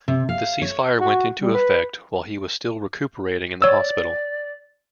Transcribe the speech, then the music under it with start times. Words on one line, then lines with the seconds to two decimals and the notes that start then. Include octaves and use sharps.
The ceasefire went into effect while he was still recuperating in the hospital.
0.08 C3
0.29 F5
0.62 C#5
1.00 F#4
1.42 G3
1.54 B4
3.62 C#5 D5 E6